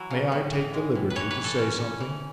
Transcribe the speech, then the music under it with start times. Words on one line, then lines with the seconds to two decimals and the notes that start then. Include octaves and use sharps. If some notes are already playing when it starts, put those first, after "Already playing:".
'May I take the liberty to say something?'
Already playing: E3 F#3 E4 F#4
0.10 C#3
0.32 A2
0.53 E3
0.74 G#3
0.95 A2
1.10 B4
1.16 E3 C#5
1.31 B4
1.37 E3
1.44 A4
1.58 C#4
1.79 C#4
2.00 E3